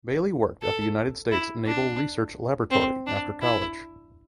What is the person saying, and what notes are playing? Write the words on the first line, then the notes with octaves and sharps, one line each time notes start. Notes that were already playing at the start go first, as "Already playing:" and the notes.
Bailie worked at the United States Naval Research Laboratory after college.
A4
E4
D4
C4
D4
E4